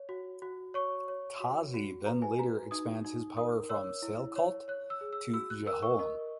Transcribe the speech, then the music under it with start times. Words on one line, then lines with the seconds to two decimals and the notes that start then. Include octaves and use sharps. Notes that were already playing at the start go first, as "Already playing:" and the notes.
Tazi then later expands his power from Sialkot to Jhelum.
Already playing: C#5
0.09 F#4
0.42 F#4
0.74 C#5 C#6
1.08 C#5
1.40 F#4
1.74 F#4
2.06 B4 A#5
2.22 G#5
2.38 F#4 A#5
2.71 D#4 D#6
3.05 D#4
3.37 A#4 D#6
3.69 C#5 E6
4.02 E4
4.36 C#5
4.68 C#5 F#6
4.90 E6
5.01 G#4
5.13 E6
5.33 F#4 E6
5.50 F#6
5.66 A#4 E6
5.82 C#6
5.99 A#4 D#5